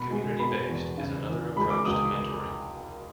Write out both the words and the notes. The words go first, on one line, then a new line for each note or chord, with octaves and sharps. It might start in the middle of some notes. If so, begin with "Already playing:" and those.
"Community Based" is another approach to mentoring.
Already playing: B2 B5
G#3
B3 B5
E2
C#3
E3
G#3 B5
D6
C#2 D#6